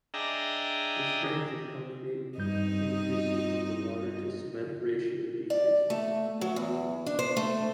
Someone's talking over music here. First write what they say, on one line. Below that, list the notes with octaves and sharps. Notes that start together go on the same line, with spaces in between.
The strength of concrete increases when the water to cement ratio decreases.
D4 G#4 D#5 E5 G5 A#5
G2 G3 C4 D#4 D#5 G6
D5
A3
F#3
E2
D4
C5
A3